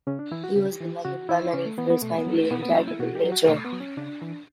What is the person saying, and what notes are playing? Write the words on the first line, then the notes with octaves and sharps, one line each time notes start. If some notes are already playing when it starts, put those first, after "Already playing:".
He was beloved by many for his kindly and charitable nature.
C#3 C#4
D4
E3 E4
F#4
C#3 G4
E3
C#3 F#4
E3 E4
C#3 C#4
A3
E3 B3
B3
B2 A3
B3
F#3
A3
B2 B3
B3
F#3 C#4
E4
B2 F#4
G4
F#3
F#4
B2 A3
B3
F#3
C#4
C#3 D4
E3